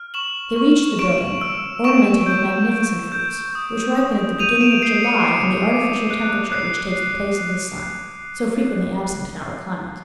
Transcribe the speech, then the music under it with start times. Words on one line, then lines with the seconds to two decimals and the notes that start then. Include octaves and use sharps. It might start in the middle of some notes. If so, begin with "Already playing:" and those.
They reached the building, ornamented with magnificent fruits, which ripen at the beginning of July in the artificial temperature which takes the place of the sun, so frequently absent in our climate.
Already playing: F6
0.14 C#6 E7 F#7
0.56 C#6
0.99 C#6 D7 E7
1.41 E6
1.84 C#6 D7 E7
2.26 G6
2.69 G6
3.12 G6
3.55 D#6
3.97 D#6
4.39 G6 D#7 F7
4.61 D7 E7
4.82 G6 C7 D7
5.03 C#7 D#7
5.25 D6
5.68 D6
6.11 F#6
6.52 F#6 C7